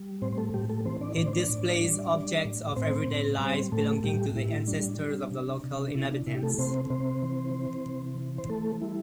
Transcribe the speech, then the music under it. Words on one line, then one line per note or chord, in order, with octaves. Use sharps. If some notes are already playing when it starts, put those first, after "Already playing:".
It displays objects of everyday life belonging to the ancestors of the local inhabitants.
Already playing: G3
A2 C4 C5
C5
A3 A4
A2 G3 G4
A3 A4
E3 C4 C5
D4 D5
A2 D4 D5
C5
D4 D5
A2
G3
G3
A2
A2 C4 C5
A2
G3 C4 C5
A2 A3 A4
A2 G3 G4
A2 E4
G3 D4
G3
C3
C3
D4
C3 E4
D4
C3 E4
G4
A3 A4
C3 C4 C5
C3 C4 C5
E3
E3
C3
E3
C5
E3 A3 A4
G3 E4